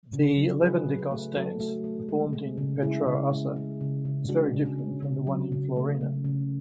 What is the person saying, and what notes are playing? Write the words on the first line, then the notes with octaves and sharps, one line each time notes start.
The Levendikos dance performed in Petroussa is very different from the one in Florina.
C#3
F#3
F#3 G#4 B4
F#3
G#4 B4
A3
F#3 F#4 A4
A3
A3
G#3
G#3
C#3
G#3 E4 G#4
C#3
G#3
G#3
C#3
C#3
G#3 D4 F#4
C#3
C#4
G#3
C#3
F#3
C#3
A3
C#3
C#3